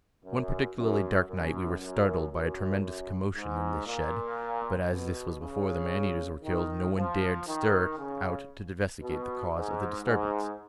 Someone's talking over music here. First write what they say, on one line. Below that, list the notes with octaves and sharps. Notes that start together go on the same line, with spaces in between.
One particularly dark night we were startled by a tremendous commotion in this shed, but as this was before the man-eaters were killed, no one dared stir out to investigate the cause of the disturbance.
F#2
F#2
F#2
F#2
F#2
G#2
A#2
B2
C#3
D#3
F3
D#3
C#3
B2
G#2
G#2